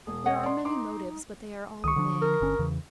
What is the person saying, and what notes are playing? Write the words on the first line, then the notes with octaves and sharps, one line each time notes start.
There are many motives, but they are all vague.
E1 D#6
C#5 D#5 F#5
D5 C6
D#4 C6 D6
C#2 D#3 C#6 D#6
D3 F3 D4
A#4
G1 D3 C#4
E2 C#3 E3